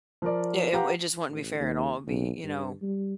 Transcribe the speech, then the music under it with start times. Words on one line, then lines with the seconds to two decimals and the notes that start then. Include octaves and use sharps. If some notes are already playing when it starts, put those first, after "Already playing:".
It it w it just wouldn't be fair at all. It'd be, you know,
0.22 F3 A#4 D5
0.73 G4 B4 F5 F#5 A#5
1.29 A1
1.60 D#2
2.07 B1
2.44 G2
2.82 G3